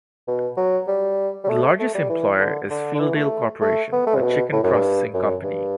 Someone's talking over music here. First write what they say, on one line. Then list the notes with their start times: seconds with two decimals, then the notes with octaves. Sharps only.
The largest employer is Fieldale Corporation, a chicken processing company.
0.27 B2
0.57 F#3
0.88 G3
1.44 G3
1.49 A3
1.79 A3
1.94 G3
2.09 E3
2.40 D3
2.70 D3
2.95 D3
3.00 E3
3.15 A3
3.61 A3
3.92 B3
4.07 A3
4.15 C3
4.22 B2
4.52 A2
4.63 F#2
4.73 G2
5.14 F#2
5.43 G2